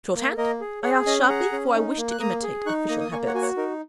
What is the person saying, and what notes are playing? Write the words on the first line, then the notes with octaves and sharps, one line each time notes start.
'Shorthand?' I asked, sharply, for I wished to imitate official habits.
A#3
A#3 A#4 D#5
G#4
G#4 C#5 F#5
C#4 D#5 G#5
G#4 F#5 A#5
C#4
D#4
A#3
F#6
A#3 A#5 D#6
G#4
D#4 C#6 F#6
A#3 A#5 D#6
D#6
A#3 G#5 C#6
C#5 F#5
F#4 G#5
C#5 F#5
D#4 A#4